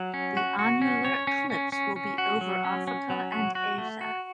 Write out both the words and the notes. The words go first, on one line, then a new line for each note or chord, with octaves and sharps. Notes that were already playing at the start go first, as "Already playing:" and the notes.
The annular eclipse will be over Africa and Asia.
Already playing: F#3
C#4
F#4
F#4
C#4
C#5
C#4
C#4
C#4
C#4
F#4
F#3
C#4
C#4
F#3
F#4
F#4
A3
F#4